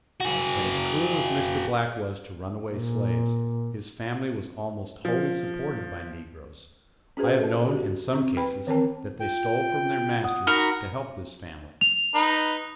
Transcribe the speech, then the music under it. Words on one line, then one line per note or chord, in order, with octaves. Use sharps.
But as cruel as Mr. Black was to runaway slaves, his family was almost wholly supported by negroes; I have known in some cases that they stole from their masters to help this family.
F#4 G#4
A#2
F3
C#4 F#4 G#4 B4 C5
A4 A5
F#4 G4
C4 A#5 C#6
B4 G5 B5
D#3 E3 C4 A#4 G5 A5
F4 G5
F#5 D#6
D#4 F#4 A#4 B5 C#7
F7
D#4 B4